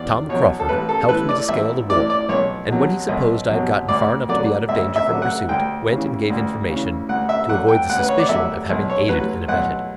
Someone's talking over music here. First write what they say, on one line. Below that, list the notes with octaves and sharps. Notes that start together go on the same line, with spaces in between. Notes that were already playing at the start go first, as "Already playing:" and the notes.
Tom Crauford helped me to scale the wall; and when he supposed I had got far enough to be out of danger from pursuit, went and gave information, to avoid the suspicion of having aided and abetted.
Already playing: E2 D5
B2 F#3 C#5
A4
A1 B4
A4
A2 E3 B4
D5
A1 E5
A2 E3 D5
D5
B1 C#5
B2 F#3
B1
B2 F#3
D2 D5
D3 F#3 D5
D2 E5
E5
D3 F#3
F#5
D2 G5
C#3 E3
D2
C#3 E3
D2 F#5
E5
D3 F#3 F#5
G5
D2 F#5
B4
C#5
D5
D3 F#3 E5
B1
C#5
A2 F#3 B4
B1 F#5